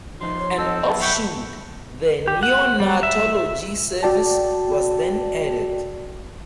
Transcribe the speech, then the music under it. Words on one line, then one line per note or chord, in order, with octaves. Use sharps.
An offshoot, the neonatology service, was then added.
F3 D#4 C6
C#5
C4 A4 D#5
B1 B3 E5 A5
F#5 G5 B5 C#6
G4
F#5
G3
E5
F#4 D5 G5 A5